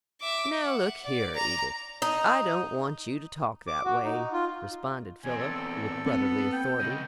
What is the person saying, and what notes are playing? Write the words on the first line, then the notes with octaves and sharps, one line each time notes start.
"Now, look here, Edith, I don't want you to talk that way," responded Philip with brotherly authority.
E5 D6
F#5
D5
A#5
D#4
D6
F#4
D#4
F4
E2 C4 G#5
A4
B3 C4
G5
C#3 D#5